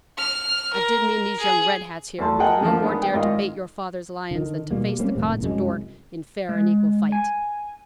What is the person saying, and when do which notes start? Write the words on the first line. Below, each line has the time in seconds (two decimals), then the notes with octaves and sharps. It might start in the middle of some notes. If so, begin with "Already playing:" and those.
"I did mean these young red hats here, who do no more dare to bait your father's lions than to face the Cods of Dort in fair and equal fight."
0.18 F6
0.73 A#4
1.40 G#4
2.18 E2 F#3 A3 A5 C6
2.39 G#4 A#4 D#5 F#5 G5 A5
2.61 F#2 D3 F3 A3 A#3
2.82 D#3 G#3 B3 D4
3.02 D5 G5
3.14 G#2 D#3 F4 D#5
4.31 D3 D#3
4.71 B2 G3 A#3
4.99 G3 A#3 C4 C#4
5.15 F1 A2 A#3
5.41 C2 F#2 G#3
6.49 G#3
7.12 G#5